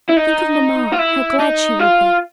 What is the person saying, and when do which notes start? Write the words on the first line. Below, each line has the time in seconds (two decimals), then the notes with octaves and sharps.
Think of mamma, how glad she will be!
0.09 E4
0.17 D#4
0.92 F4
0.99 E4
1.40 D#4
1.79 F4